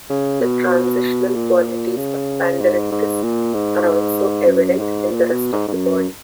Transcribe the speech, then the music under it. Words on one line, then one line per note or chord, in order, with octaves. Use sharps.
The transitional qualities of "Panderichthys" are also evident in the rest of the body.
C#3
B2
A#2
C#3
G#2
G#2
A#2
G#2
F#2
G#2
A#2
B2
G#2
G#2
F#2